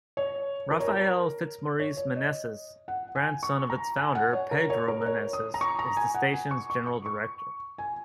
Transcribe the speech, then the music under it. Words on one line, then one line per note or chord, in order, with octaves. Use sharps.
Rafael Fitzmaurice Meneses, grandson of its founder, Pedro Meneses, is the station's general director.
C#5
A#4
C#5
A#4
C#5
C#5
D#5
F#5
G#5
C#6
A#5
G#5
F#5
C#5
A#4
C#5
A#4
C#5
D#6
A#5
C#6
A#5
G#5
F#5
G#5
C#6
C#6
C#6
C#6
G#5